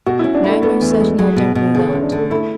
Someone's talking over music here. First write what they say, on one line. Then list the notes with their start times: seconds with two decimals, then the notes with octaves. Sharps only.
"No, most certainly I don't know that."
0.06 B2 F#4
0.19 C#4 E4
0.35 D4
0.44 A3 E4
0.62 A3 B3
0.81 E2
0.91 A3
1.00 G#3
1.19 F#3 G#4
1.37 B2
1.55 B2
1.74 D3 G#4
1.89 E2 C#4
2.02 D4
2.12 D3
2.17 A3
2.30 A3 E4